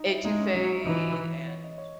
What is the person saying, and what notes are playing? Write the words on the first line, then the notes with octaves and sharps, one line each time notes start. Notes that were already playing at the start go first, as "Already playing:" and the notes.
etouffée, and
Already playing: D#4
E4
G#3 D#4
C#4
F#3 C#4
E4
E3 D#4
C#5
C#5
D#5
C#5